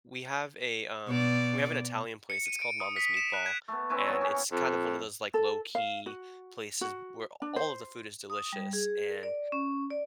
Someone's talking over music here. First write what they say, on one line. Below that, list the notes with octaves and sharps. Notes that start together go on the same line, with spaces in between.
we have eh, um, we have an Italian place. It's called Mama's Meatball, and it's kind of one of those, like, low-key places where all of the food is delicious, and
B2 D5
C#7
D#7
D7
D#6
B6
E7
F#6
G#6
A3 B3
C4 C#4 E4 B4
B3 G#4 C#5 A#5
C#4 G4
F2
A4
F5
F#4
F#4
D4
C5
D#6
G3
G#4
A#4
D5
C#4
D5